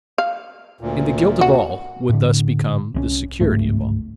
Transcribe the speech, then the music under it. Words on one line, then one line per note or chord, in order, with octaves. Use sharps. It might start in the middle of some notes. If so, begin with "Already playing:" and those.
And the guilt of all would thus become the security of all.
F5
D2 A#2
F#4
A2 D3
C2 G3 C#4
G1 C#2 G#2 A3